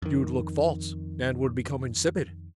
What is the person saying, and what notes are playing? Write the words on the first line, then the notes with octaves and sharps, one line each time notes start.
You'd look false and would become insipid.
F2 D#3